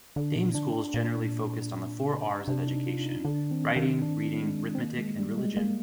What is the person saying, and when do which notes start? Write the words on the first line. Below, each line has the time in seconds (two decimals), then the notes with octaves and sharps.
Dame schools generally focused on the four R's of education-"Riting, Reading, Rithmetic, and Religion".
0.16 D3 D4
0.36 A#2
0.55 D3 D4
0.94 A#2
2.48 C3 D4
2.67 D#4
2.86 F4
3.06 D#4
3.25 D3 D4
3.51 D#3 C4
3.76 D#3
4.02 D4
4.41 G#3
4.75 C4
4.80 A#3
4.99 G#3
5.18 G3
5.38 G#3
5.57 G#3 A#3